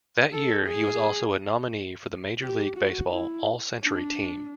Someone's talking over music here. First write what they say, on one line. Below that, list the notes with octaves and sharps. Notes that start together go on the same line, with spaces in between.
That year, he was also a nominee for the Major League Baseball All-Century Team.
A4
G#4
G4
F#4
E4
D4